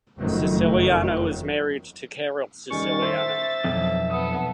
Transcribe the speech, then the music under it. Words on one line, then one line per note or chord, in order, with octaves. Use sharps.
Siciliano is married to Carol Siciliano.
F#1 F2 D#3 F#3 A3
D#3 G3 C#4 C#6 A6
C5 E5
B1 F2
B3 A4 D#6